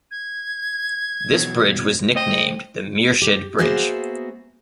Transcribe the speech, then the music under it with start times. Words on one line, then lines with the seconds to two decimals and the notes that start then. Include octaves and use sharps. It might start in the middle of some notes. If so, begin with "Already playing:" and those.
This bridge was nicknamed the "Mierscheid Bridge".
0.11 G#6
1.32 B2 E3 F#3
2.15 A2 C5 D#5 G5
3.22 G4
3.58 A#3 B3 F#4 G#4 C5 E5